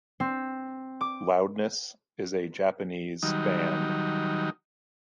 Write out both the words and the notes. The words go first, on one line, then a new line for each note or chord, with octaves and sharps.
Loudness is a Japanese band.
C4
D6
D#3 F#3 G3 D#4